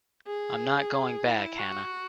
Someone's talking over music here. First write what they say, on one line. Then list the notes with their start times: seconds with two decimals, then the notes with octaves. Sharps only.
I’m not going back, Hannah.
0.27 G#4
1.26 E4
1.58 F#4